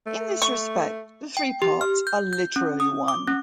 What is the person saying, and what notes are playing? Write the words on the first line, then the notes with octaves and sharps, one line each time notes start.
In this respect, the three parts are literally one.
A3
A3 C#6
G5
G4
F6
G6
G6
C#4
D#6
D6
C#4